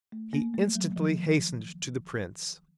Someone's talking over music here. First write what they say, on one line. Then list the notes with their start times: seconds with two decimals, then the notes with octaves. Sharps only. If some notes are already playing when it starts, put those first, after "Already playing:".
He instantly hastened to the Prince.
0.12 A3
0.33 A#3
0.54 A3
0.75 F#3
0.96 F3
1.17 D#3